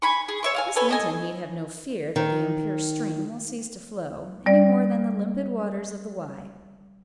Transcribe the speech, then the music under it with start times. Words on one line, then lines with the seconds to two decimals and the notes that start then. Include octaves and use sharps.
Miss Linton need have no fear that the impure stream will cease to flow, any more than the limpid waters of the Wye.
0.02 G#5 B5 C#6
0.28 G#4
0.43 C#5 E5 C#6
0.55 F5 F#5 G#5
0.76 A4 B4 C#5 G#5
0.89 A4 D#5 G#5
2.16 D#3
4.46 G3 D5